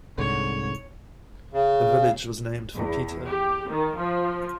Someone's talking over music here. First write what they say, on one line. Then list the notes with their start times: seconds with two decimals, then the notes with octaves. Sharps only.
The village was named for Peter.
0.18 C2 G#2 D3 C#5
1.53 C#3
2.75 E2
3.27 G4
3.71 D#3
4.00 F3